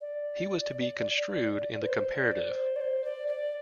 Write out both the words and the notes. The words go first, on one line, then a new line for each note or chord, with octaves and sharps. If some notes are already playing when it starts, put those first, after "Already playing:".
He was to be construed in the comparative.
D5
B4
C5
D5
C5
D5
C5
D5
D5